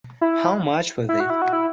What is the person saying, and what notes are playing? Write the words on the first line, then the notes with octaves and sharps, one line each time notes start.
How much was it.
E4
E4
F#4
E4
F#4
E4